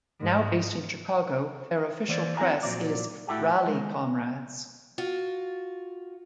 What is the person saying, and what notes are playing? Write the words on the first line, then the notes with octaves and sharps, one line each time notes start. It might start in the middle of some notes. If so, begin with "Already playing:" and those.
Now based in Chicago, their official press is Rally, Comrades!
G#2
E3 A#3 C5 D5
C4 E4 F#4 G#5 A#5
A#2 D#3 F3 F#3 C4 D5
A2 E4 F#4 G4 A4
D#3 G#3
F4 F#4